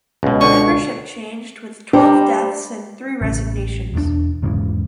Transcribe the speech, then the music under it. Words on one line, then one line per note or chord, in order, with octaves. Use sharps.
Membership changed with twelve deaths and three resignations.
C#2 B2
D3 C#6
G3 D4 C5 A#5
A1 C#3
E1 E2 F3 D4
E2 G#2 C#3 E3